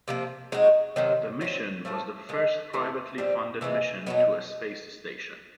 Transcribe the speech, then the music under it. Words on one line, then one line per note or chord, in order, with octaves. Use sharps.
The mission was the first privately funded mission to a space station.
C3 F3 A#3
G#3 C4 D#4 F#4
C3 D#3 F#3
F#3 A3 C4
A2 F3 A3
D#3 G#3 B3
C3 E3 A3
G3 C4 F4
C3 E3 G#3 B3
B2 F#3 B3 D#4